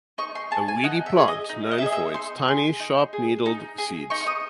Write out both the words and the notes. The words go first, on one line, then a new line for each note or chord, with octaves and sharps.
A weedy plant known for its tiny sharp-needled seeds.
D#4 C#6
C6
G#4 A5
G#5
D#4 F#5
E5
G#4
D#5
D#4
D#5
E5
G#4 D#5
E5
D#4 C6
G#4
D#4
G#4
D#4
G#4
D#4 C#6
C#6
D#6